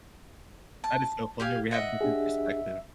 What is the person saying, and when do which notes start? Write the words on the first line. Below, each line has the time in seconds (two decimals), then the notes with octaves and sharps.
That is so funny. We have different perspectives.
0.84 A5
1.40 G4 F5 G#5
1.71 D#5 E5 F#5
2.01 D4 G4 G#4